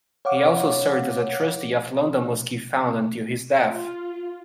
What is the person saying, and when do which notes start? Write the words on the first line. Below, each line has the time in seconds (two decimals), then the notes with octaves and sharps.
He also served as a trustee of the London Mosque Fund until his death.
0.25 C#5 F5 F#5 D6
3.70 F4